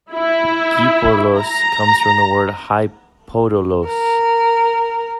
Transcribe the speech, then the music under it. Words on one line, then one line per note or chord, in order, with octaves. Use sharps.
Giporlos comes from the word "Hi-Podolos".
E4
A#5
A#4